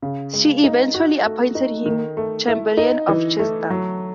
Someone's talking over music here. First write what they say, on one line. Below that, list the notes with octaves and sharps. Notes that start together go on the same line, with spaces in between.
She eventually appointed him Chamberlain of Chester.
C#3
G#3
D#4
F#4
A3
D#4
D#3
A3
E4
D#4
E3
A3
F#3